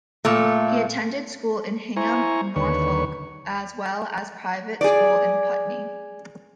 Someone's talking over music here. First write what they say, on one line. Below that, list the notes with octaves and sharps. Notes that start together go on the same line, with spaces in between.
He attended school in Hingham, Norfolk, as well as a private school in Putney.
A#2 A3
E4 C5 G#5 A#5 C#6
D#2 D3 B4 C#5 C#6
G#4 D5